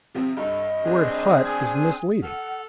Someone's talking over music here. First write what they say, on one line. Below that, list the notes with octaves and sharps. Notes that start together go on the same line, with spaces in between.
'The word "hut" is misleading.
C3 F3 C4
G2 A4 D#5
C4 D4 G#4
G#5 D#6 G#6
A4 F#5 F6